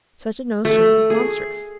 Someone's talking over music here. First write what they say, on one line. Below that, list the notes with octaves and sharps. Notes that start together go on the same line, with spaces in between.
Such a notion is monstrous.
A3
G#4